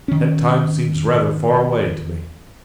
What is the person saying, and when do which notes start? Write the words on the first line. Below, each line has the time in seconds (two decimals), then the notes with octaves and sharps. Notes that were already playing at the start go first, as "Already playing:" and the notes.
"That time seems rather far away to me."
0.08 D#3 C#4